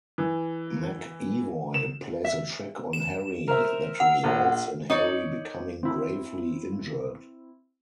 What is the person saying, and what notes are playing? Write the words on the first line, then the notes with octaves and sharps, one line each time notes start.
McEvoy plays a trick on Harry that results in Harry becoming gravely injured.
E3
E7
E5
E7
A#4 C5 E5
F#5
A#1
D#4 C#5 D5
C4 E4